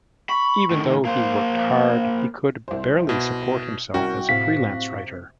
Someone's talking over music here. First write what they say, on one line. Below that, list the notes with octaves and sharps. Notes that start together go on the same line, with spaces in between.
Even though he worked hard, he could barely support himself as a freelance writer.
B5 C#6
A2 D#3
A#3 C5 F5
C2 C5
B2
C2 C#4 F#4 A#4 G5
A2 C3 F5 B6